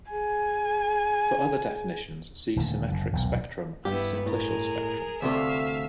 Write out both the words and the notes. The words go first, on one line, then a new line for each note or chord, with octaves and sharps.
For other definitions, see symmetric spectrum and simplicial spectrum.
G#4 G#5
D#1 D3 A3
F#1 D3
D#1 B1 E2 D#3
G2 B3 E4 G4
A2 G#4 A#4
D2 C3 A3 E5 F5